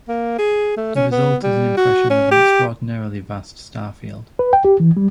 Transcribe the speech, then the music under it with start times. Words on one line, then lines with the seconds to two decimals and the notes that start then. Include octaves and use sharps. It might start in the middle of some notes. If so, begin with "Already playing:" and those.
The result is an impression of an extraordinarily vast star field.
0.08 A#3
0.39 G#4
0.77 A3
0.96 C#4
1.12 B3
1.43 G3
1.77 F#4
2.10 C#4
2.31 G4
4.39 B4
4.53 G5
4.65 G4
4.80 E3
4.97 G3